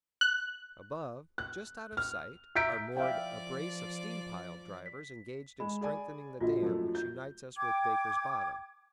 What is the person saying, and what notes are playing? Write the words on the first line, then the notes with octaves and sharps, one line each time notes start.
Above, just out of sight, are moored a brace of steam pile-drivers engaged in strengthening the dam which unites us with Baker's Bottom.
F#6
F#6
F6
E5 A#5 G6 B6 D7
F3 D5 E5 F5 G5
B6
G#3 B5
G#4 D5 G#5
A#1 F4 F#4 D#5
F#2 F3 A3
G6
G5 D6 G#6